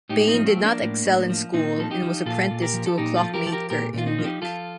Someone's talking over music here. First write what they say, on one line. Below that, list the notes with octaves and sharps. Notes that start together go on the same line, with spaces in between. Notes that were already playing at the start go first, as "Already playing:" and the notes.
Bain did not excel in school and was apprenticed to a clockmaker in Wick.
A2 D#4 G4
C4 D#4
F3
A3 C4
F3
A#3 D4
A2
A2
F3
A#2 C4 D#4
F3 A4
D#4 G4
F3
A#2 F4 A4
A#2
G4 A#4
F3
A4
A#2 D#4 G4
F4 A4
F3
G4 A#4
F3 A4
G4 A#4
A#2 G4 A#4
A#2 F4
C4 D#4
F3
D#4 G4
F3 F4 A4